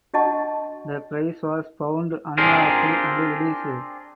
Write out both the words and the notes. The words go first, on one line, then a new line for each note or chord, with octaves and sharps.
The prize was found unlawful and released.
D4 F#4 D#5 F#5 A5 C#6
C4 D4 F4 G4 G#4 A#4